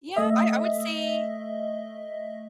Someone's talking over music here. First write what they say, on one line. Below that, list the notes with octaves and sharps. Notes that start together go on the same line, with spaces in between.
Yeah, I I would say
A3 D#5 E5